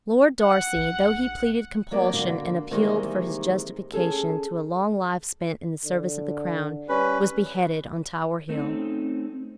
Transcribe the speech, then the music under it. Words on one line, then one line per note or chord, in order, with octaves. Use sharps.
Lord Darcy, though he pleaded compulsion, and appealed for his justification to a long life spent in the service of the crown, was beheaded on Tower Hill.
F#5
A#1
F#3 A#3 B3 D5
D3 A#3 D4 F#4
C3 D#3 E3 G3 G#3 A#3
C#4 G#4 A4
D3
G3 C#4 B4
A3 C4 C#4 D#4